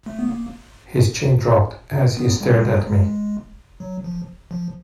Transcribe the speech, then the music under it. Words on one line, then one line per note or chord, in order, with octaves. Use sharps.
His chin dropped as he stared at me.
A3
B3
A#3
B3
G3
G#3
G3
G#3
F#3
F3
F3